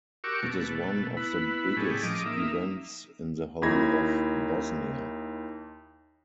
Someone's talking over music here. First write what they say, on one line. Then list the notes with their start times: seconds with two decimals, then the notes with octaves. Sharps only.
It is one of the biggest events in the whole of Bosnia.
0.24 F#4 G4 A#4 C#6 D6 E6
0.42 B2 A3
1.17 B3 E4 B4
1.77 A2 G3 A3 C#4 G#4
2.02 F3 D#5 D6
2.26 A#3 D#4 E5
3.62 D#2 D#4 E4 B5 G#6 A#6